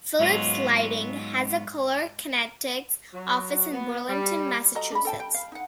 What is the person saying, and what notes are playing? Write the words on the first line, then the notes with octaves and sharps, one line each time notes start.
Philips Lighting has a Color Kinetics office in Burlington, Massachusetts.
G#2 F#3 G#3 B3 F4
F#3
B3
G3
F#4 A4 D#5 A#5
D4 B5
A4 G5 A5
G5
F5
D#4 F#5